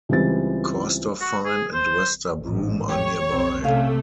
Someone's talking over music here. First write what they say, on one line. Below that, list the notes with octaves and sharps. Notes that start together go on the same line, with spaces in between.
Corstorphine and Wester Broom are nearby.
C#2 E3 G3 C4 A6
F#4
G#4
C5
A1 G#2
G4 C#5
B1 C4
C3 A3 C#4 F5